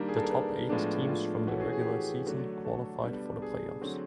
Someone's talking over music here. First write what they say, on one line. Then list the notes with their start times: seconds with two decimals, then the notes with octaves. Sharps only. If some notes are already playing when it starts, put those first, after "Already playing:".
The top eight teams from the regular season qualified for the playoffs.
Already playing: D#3 G3 A#3 D4 A#4
0.08 G#4
0.16 A4
0.23 A#4
0.30 B4
0.69 A2 F3 G#3 B3 D4
1.09 F4
1.47 E3 A3 C#4 F#4
1.61 G#4
1.73 G#4
1.81 G4
1.87 F#4
2.26 D3 F#3 A3 D4
2.65 A4
3.03 B2 G3 B3 D4
3.42 G#4
3.82 D3 F#3 A3 C4